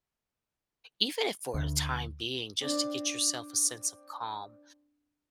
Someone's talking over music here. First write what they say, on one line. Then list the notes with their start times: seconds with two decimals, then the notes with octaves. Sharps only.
Even if for a time being, just to get yourself a sense of calm
1.54 D2
2.61 C4 D4 D5